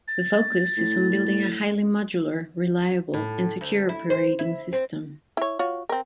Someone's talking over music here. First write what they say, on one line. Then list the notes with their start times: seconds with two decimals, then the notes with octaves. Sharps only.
The focus is on building a highly modular, reliable, and secure, operating system.
0.08 A6
0.77 A2
3.14 A2
3.61 D2
3.89 E4
4.10 C5
4.39 E4
4.73 C4
5.37 E4 C#5
5.59 F4 F#4 C#5
5.89 C4 A#4